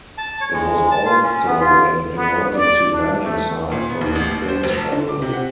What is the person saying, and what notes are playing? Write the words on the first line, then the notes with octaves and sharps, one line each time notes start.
It was also an emergency landing site for the Space Shuttle.
A5
C#5
G#3
A5
F4
C#4
B3
F4
B3
D5
D4
A3
A#2
B3
D#2
A1
D#2
C5
F1
A5
D3
D6
C3
F#5